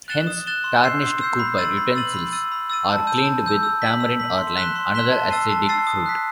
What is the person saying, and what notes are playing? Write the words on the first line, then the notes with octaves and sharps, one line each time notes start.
Hence, tarnished copper utensils are cleaned with tamarind or lime, another acidic fruit.
F#6 A6 E7 G7
D#6
F#6 A6 E7 G7
C6
E6 G6 C7
C6
E6 G6 C7
B5
E6 A6 D#7 F#7
B5
E6 A6 D#7 F#7
B5
E6 A6 D#7
B5
E6 A6 D#7
A5
E6 G6 D#7
A5
E6 G6 D#7
E6
B6 F#7
E6
B6 F#7
C6
F#6 B6 E7 G7
C6
F#6 B6 E7 G7
A5
E6 A6 C7 D#7
A5
E6 A6 C7 D#7
D#6
F#6 B6